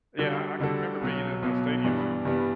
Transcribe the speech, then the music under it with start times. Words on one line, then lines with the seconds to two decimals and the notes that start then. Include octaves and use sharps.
Yeah, I I can remember being in that stadium now.
0.18 D3 G3 D4 F#4 A4
0.60 D3 G3 D4 F#4 A4
1.01 B1 B2 F#3
1.43 B1 B2 F#3
1.84 G2 E3 G3 B3 D4
2.25 G2 E3 G3 B3 D4